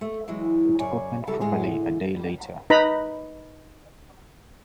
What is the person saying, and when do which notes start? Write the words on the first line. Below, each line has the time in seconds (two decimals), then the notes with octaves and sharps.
It opened properly a day later.
0.01 A3
0.28 E3 F#3 G#3
0.79 F#2 C#3 C#5 D5 G#5
1.27 C#3 F#3 G3 E4 F#4 A4
1.41 A2 D3 G#3 G#4
2.70 D#4 B4 A#5 B5